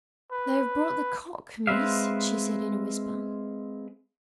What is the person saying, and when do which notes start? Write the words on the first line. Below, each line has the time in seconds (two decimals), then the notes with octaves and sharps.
"They have brought the cock, Miss," she said in a whisper.
0.32 B4
1.67 G#3 C4 B4 E5 F5